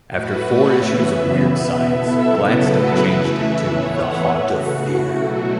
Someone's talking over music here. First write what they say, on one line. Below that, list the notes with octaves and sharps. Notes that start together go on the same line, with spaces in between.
After four issues of "Weird Science", Gladstone changed it to "The Haunt of Fear".
A2 A3 F#4 B4
A4 C#5
C#3 E3 B3 B4 E5
B2 B3 B4 E5
E4 A4
C#3 F#3 B3 E4 A4
F#4 B4
C#3 E3 A3 B4 E5
B4 E5
A2 E3 B3 C#5 F#5
B4 E5
C#3 A3 F#4
E4
B2 F#3 A3 F#4